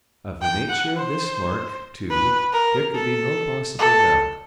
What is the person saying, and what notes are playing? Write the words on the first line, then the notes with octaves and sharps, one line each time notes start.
Of the nature of this mark, too, there could be no possible doubt.
G5
F#5
C5
B4
A#4
A4
A4